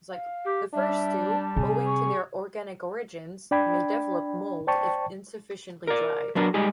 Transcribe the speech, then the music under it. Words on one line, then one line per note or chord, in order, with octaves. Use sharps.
The first two, owing to their organic origins, may develop mold if insufficiently dried.
F5
G4
G3 D4 E5
A5
C3 G#4
C#6
D4 D5 G5 B5 G#6
C5 D5 G5 A5 C#6
A#4 D5
F#3 B3 D4 A#4
G3 G#3 D#4 G4 G#4